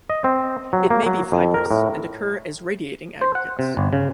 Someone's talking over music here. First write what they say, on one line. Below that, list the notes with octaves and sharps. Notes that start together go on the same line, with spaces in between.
It may be fibrous and occur as radiating aggregates.
D#5
C4
F#3
A#3
F#3
F2
A#4
A2
C5
F#5
C3
G1
C#3